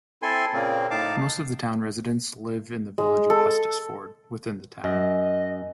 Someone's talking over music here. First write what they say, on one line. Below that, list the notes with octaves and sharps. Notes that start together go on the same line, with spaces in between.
Most of the town residents live in the village of Hustisford, within the town.
C4 E4 A4 G#5 C6
A#2 C#3 A#3 C4
A2 D#4 F5 A5 D6
G#3
A4
F#2 D#5